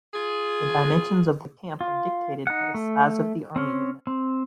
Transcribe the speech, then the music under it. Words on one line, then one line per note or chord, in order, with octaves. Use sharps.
The dimensions of the camp are dictated by the size of the army unit.
F4 G#4
F4
D#4 F#5
A3
C4 C#4
C4